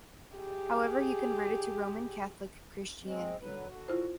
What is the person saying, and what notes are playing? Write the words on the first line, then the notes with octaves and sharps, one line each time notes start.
However, he converted to Roman Catholic Christianity.
G4 G#4
G#3 C4
D3 F#3 B4
D3 F#4
E4 F4 C5